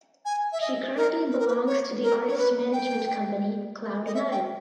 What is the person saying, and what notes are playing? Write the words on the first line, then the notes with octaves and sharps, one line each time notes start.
She currently belongs to the artist management company Cloud Nine.
G#5
E5
D#5
A#4
B4
A#4
B4
C#5
A#4
C#5
B4
G5
D#5
E5
G5